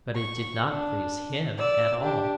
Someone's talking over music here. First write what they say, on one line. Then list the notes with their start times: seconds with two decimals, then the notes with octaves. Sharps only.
But it did not please HIM at all.
0.16 C#6
0.70 D4
1.57 D5 E6
2.01 D4 G4